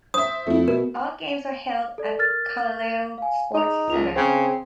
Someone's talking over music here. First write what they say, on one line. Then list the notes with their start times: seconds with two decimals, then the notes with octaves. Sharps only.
All games are held at the Callao Sports Center.
0.14 C5 E5 D#6
0.47 F2 A3 E4
0.68 B2 A#4
1.98 A4 D5
2.19 A#4 F6 A6
3.18 F5 G#5
3.54 D#4 G#4 F7
3.90 C#2 F7
4.16 C#3 C4